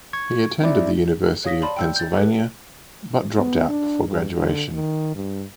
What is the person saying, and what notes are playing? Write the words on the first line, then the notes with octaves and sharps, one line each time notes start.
He attended the University of Pennsylvania, but dropped out before graduation.
C#6 G#6
C4 E4 D5 E5
C#5 F5 D#6 A#6 B6
D5 A5 B5 C6 F#7 G7
G5 E6 G6
G6 A6
G4 A4 B4 F#6
B3
D4
G2
D3
D#3
G2